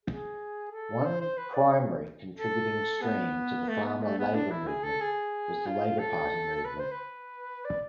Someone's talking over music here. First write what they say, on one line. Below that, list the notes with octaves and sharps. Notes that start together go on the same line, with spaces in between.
One primary contributing stream to the Farmer-Labor movement was the Labor Party movement.
G#4
A4
C5
C5
B4
D5
A4
B3
A3
B3
A3
B3
D4
E4
G#4
A4
G#4
F4
A4
B4
C5
B4
D5